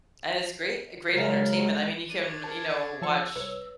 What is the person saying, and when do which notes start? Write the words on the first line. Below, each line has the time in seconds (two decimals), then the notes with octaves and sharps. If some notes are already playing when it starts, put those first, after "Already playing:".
And it's great great entertainment, I mean, you can you know, watch
1.12 C#3 F#3 G#3 A#4
2.10 C#4 D4 C#5 D#7
2.44 A#4 A5
3.02 F3 A5 C#6 E6
3.36 C2 B4 C#5